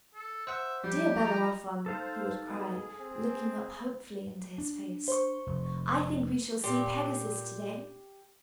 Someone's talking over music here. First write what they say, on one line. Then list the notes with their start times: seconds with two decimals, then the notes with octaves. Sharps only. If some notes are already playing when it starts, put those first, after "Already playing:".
"Dear Bellerophon," he would cry, looking up hopefully into his face, "I think we shall see Pegasus to-day!"
0.15 A4
0.47 C5 E5 F#5
0.84 F3 G3 G4
1.18 D#4 A#5
1.86 D#4 A4 C5 F5 A5
2.47 B2 G#4
2.99 C4 G#5
4.58 D4
5.08 C5 C#6
5.47 F1
6.64 A#2 G4